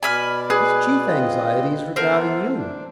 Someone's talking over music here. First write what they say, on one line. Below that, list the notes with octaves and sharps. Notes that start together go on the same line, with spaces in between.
His chief anxiety is regarding you.
B2 D5 G#5 B5 F6
G#4 B4
C4 F4 D#5
B3 A4 A#4 C5
D4